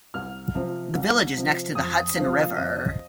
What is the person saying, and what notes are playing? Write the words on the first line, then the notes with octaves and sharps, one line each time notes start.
The village is next to the Hudson River.
C2 F6
C3 F3 C4
C2
C3 F3 C4
F2 D#6
C3 F3 C4 F5
F2 D#5